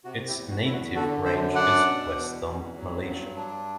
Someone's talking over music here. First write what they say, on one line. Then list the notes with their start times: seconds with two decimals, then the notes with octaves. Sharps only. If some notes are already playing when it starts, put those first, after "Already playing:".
Its native range is Western Malesia.
0.05 C3 F#4
0.27 E4 G4
0.35 E2
0.50 F#4
0.65 E2 E4
0.73 F#4
0.95 D3 F#4 A4
1.25 F#2 A4 C5
1.55 D4 D5 F#5
1.86 B2
2.16 E2
2.46 E2
2.77 F#3
3.07 G2
3.36 D4